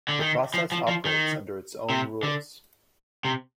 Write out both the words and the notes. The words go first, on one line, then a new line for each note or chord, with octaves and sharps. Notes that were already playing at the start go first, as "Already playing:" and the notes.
The process operates under its own rules.
D3
D#3
F3
F3
F3
D#3
C3
D3
C3